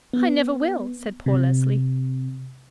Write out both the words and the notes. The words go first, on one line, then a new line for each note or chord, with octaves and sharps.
"I never will," said poor Leslie.
B3
C3